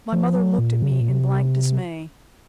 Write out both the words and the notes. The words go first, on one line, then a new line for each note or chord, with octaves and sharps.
My mother looked at me in blank dismay.
F3
F#3
A#2
C#3
C3
A#2
C3